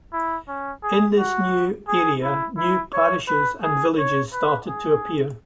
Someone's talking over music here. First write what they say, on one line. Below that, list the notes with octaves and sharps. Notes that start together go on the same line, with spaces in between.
In this new area, new parishes and villages started to appear.
E4
C#4
G#4
F#4
G#4
E4
E4
C#5
B4
G#4
C#5
B4
G#4